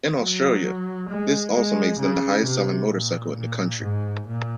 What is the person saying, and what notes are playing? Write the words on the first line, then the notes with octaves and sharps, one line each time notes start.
In Australia this also makes them the highest selling motorcycle in the country.
F#3
G#3
G#3
C#3
C3
A#2
A#2
G#2
A#2